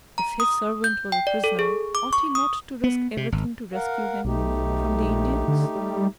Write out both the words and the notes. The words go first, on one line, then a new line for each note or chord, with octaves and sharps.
If his servant was a prisoner, ought he not to risk everything to rescue him from the Indians?
A#5
D#6
G6
G5
D5
A4
G#4
D6
C#6
D#6
B3
C3
G#1
A#4 F5 F#5
B1 A3 D#4 G4
A#1
D3
G3